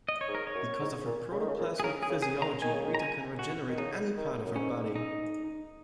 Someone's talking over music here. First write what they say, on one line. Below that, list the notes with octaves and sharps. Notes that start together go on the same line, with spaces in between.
Because of her protoplasmic physiology, Rita can regenerate any part of her body.
D#5
C#5
G#2
A#4
C#5
F#2
G#2
A#2
C#3
D#3
C#3
A#2
G#4
C#3 A#4
G#4
C#3
G#4
C#3
A#5
D#3 G#5
C#3
D#3
A#5
G#5
F#4
D#3
C#3 D#4
D#3
F#2
G#2 C#4
D#4